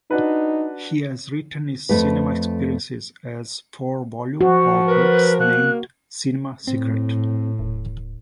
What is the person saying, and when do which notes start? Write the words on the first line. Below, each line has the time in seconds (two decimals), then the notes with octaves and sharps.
He has written his cinema experiences as four volume of books named "Cinema secret".
0.11 D4 D#4 F#4 B4
1.89 F2 A3 B4
4.41 F3 F#4
4.87 A#4 B4
5.40 A#3 F#6
6.67 A2 C4
7.59 D#1